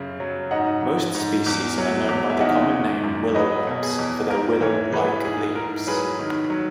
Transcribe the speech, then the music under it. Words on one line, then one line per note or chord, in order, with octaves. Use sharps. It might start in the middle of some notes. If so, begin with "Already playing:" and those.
Most species are known by the common name willowherbs for their willow-like leaves.
Already playing: F#2 C#3
F#3
G#2 D#5 F#5
G#2
G#2
E2
F#3
E2
E5
D#3 D#5 F#5
D#3
F#2
F#3 B4 D#5
B2
G#4
E2
G#2 A#4
E3 A#4 C#5
E3 G#4 B4
G#2 G#4
G#2 A#4
F#3 G#4 B4
D#3
F#3